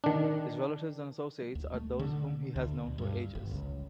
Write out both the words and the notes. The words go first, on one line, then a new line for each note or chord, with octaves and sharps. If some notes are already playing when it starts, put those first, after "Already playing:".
His relatives and associates are those whom he has known for ages.
D#3 D4
D2
A3
D3
D2
B2
G2
G1
C#2